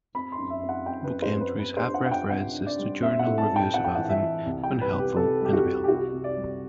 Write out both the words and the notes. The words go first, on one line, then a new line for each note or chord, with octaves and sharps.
Book entries have references to journal reviews about them when helpful and available.
C4 B5
C6
F#2
E5
C4
F#5
C4 G5
B4
F#2
C5
C4
B4
B3 B4
D4 C5
F#5
B3 F#5
G5
C3 F#5
D4
D5
G3
C4 E5
F#5
A2
A5
A2
G5
C4 F#5
G5
E3 F#5
E5
E3
C2
G5
G3
B4
C2
G4
C3 A4
G3 G4
F#4
C2
G4
C3 F#4
C3
D5
G3